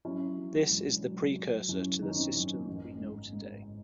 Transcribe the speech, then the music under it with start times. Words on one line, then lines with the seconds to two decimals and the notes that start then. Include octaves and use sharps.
This is the precursor to the system we know today.
0.05 F#3 C#4 E4
0.37 F#3
0.70 E1
1.03 F#3
1.36 F#3
1.68 F#2 C#4 E4
2.01 D#3 D#4
2.08 C#4
2.16 C4 D#4
2.34 F#2
2.68 A1
3.00 G#2
3.32 G#2